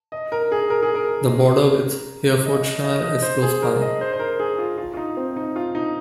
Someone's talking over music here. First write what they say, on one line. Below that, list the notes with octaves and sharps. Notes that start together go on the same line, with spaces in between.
The border with Herefordshire is close by.
D#5
A#4
G#4
A#4
G#4
A#4
D#5
D#5
D#5
D#5
C5
G#4
A#4
D#5
C5
C5
A#4
G#4
F4
F4
F4
D#4
C4
D#4
F4
D#4